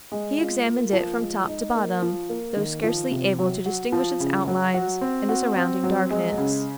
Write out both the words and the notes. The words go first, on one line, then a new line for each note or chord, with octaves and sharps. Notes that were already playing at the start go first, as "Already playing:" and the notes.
He examined it from top to bottom, though scarcely able to distinguish its outlines in the surrounding darkness.
G#3
F4
A#3
F3
G#3
D#4
A#3
F3
A#3
D#3
F3
C3
F#3
F#4
F3
C#3
F#3
F#4
C4
F#4
C4
F#3
G#3
C#3